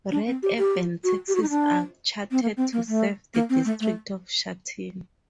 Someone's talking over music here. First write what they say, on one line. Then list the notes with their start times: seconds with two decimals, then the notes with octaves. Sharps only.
Red urban taxis are chartered to serve the District of Shatin.
0.11 D4
0.27 C4
0.43 G4
0.58 G4
1.04 F#4
1.28 G4
1.35 F#4
1.42 D#4
1.50 D4
2.31 C4
2.42 A#3
2.57 C4
2.73 A#3
2.88 A3
3.34 A#3
3.50 C4
3.65 A3
3.80 A3